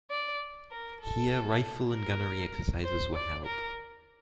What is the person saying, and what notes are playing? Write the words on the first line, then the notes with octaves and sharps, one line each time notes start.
Here rifle and gunnery exercises were held.
D5
A#4
A4
A#4
C5
D5
A#4